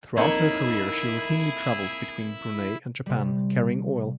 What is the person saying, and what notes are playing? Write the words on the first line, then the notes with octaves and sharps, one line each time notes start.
Throughout her career she routinely traveled between Brunei and Japan carrying oil.
F2 A#3 D#4 E4 G#4 C#5
C3 G3